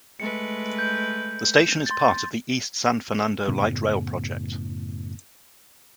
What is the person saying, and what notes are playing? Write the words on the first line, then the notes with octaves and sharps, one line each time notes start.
The station is part of the East San Fernando Light Rail Project.
G#3 A3 B4 C#7
G6
C6 A6
F#2 A2 C#3 B3